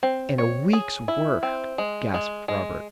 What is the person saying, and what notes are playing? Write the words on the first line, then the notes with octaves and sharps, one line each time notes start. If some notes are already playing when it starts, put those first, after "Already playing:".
"And a week's work!" gasped Robert.
C4
C#5
G#4
E4
C4
G#3
G#3
G#3